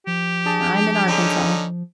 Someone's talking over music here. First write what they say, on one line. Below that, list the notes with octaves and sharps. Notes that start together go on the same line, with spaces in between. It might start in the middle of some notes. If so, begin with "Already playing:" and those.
I'm in Arkansas.
F3 G4
D4 G#4 A5
D3 C#4 D#4